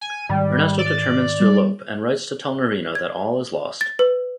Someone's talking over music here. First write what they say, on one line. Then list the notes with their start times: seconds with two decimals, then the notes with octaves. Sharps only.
Ernesto determines to elope and writes to tell Norina that all is lost.
0.01 G#5
0.29 G#2 D#3 G3
0.78 D5
1.40 G3
2.95 G#6
3.81 A6
3.99 B4